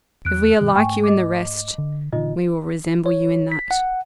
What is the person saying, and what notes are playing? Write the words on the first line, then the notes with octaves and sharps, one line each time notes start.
If we are like you in the rest, we will resemble you in that.
E2 F#6 D7
G2 B2 D#3
G#2 A3 G5 G#5 C#6
D#5 D6
D3
A#2 D3 E3 D#4 F4 D#5
C#5
B6
F#5